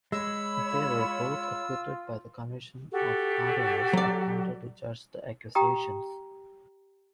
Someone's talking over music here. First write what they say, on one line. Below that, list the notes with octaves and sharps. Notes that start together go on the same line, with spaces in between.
They were both acquitted by the Commission of Cardinals appointed to judge the accusations.
G#3 C#5 B5 E6
F4
F#4 G4 A4
F#3 D5
G4 G5 A#5 D#6